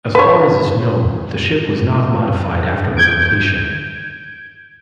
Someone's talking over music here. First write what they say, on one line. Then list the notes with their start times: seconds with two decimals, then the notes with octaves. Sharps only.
As far as is known the ship was not modified after her completion.
0.15 B4 C#5
2.97 G6 G#6 D7